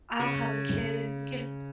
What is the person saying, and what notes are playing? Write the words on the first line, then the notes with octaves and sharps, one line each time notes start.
I'll have a kid, and we can
C#3 C#6